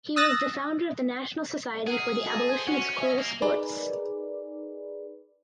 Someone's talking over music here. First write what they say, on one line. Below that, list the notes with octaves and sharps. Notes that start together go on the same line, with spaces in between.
He was the founder of the National Society for the Abolition of Cruel Sports.
D#6 E6 F#6 A6 A#6
G#4 A#4 F#5
F#4 A4 D#5
C5 G#5
C#4 F#4 F#5
D#5 E5 G#5
A#3
D#4 G#4 A#4 B4 D5